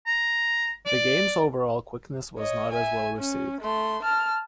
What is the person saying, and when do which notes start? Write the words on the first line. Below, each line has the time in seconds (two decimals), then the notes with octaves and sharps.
The game's overall quickness was not as well received.
0.07 A#5
0.86 D5
2.39 C#5 D#5
2.72 E5 G#5
3.17 C#4
3.61 A3 C6
4.03 A5 F6